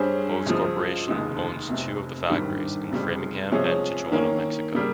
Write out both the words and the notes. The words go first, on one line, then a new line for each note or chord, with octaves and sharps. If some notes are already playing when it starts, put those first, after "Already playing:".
Bose Corporation owns two of the factories - in Framingham and Tijuana, Mexico.
Already playing: G2 G3 C#4 G#4 C5
C#2 C#3 F3
F1 D#2 C#3 G#3
F1 F2 C3
G#1 G2 D#3 G3
F1 F2 C#3 G3
C3 F3 G#3 C#4 G#4
D#3 A#3 C#4
C#3 G3 A#3